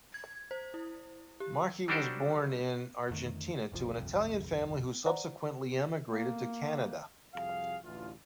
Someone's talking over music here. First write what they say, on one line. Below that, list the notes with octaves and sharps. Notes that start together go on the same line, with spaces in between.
Marchi was born in Argentina to an Italian family who subsequently emigrated to Canada.
G#6
C5
E4
G4
F#3 G3 D4 F#4 G4 C5
F2 D3 D#3 A3
F#1 C2 C3 F3
G1 C2 F2
C5 D5 F#5 A5 A#5
A#3
C2 F2 F#4 G#4 F5
A1 D2 E3 F4